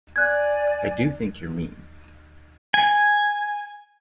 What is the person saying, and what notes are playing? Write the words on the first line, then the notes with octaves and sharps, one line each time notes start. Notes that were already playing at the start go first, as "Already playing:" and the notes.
I do think you’re mean.
D5 G#5 F#6 G#6
G#5